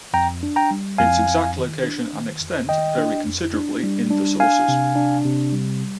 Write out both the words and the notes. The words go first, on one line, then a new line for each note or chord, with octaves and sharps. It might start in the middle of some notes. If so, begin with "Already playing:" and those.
Its exact location and extent vary considerably in the sources.
F2 G5 A#5
D4
G5 A#5
G3
F2 F5 G#5
F2
D#3
D4
D#3
F2
D#3 D#5 G5
D4
F2
D4
G3
D4
D4 F5 G#5
C3
D4
C3
G3